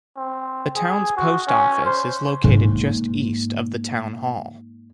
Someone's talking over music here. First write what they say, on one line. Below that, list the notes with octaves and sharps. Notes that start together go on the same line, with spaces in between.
The town's post office is located just east of the town hall.
C4
G#4
F#4
C#4
C5
G#2 A#3